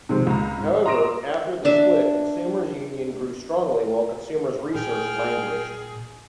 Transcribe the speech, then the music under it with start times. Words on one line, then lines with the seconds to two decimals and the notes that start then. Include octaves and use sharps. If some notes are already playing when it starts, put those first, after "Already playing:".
However, after the split Consumers Union grew strongly while Consumers' Research languished.
0.09 C3 D#3 F3 G#3 C4
0.27 C#2 A#5
0.58 G#2
0.86 A#5 C6 D#6 A#6 D7 E7
1.65 D4 E5
4.75 A#2 G#4 G5 F6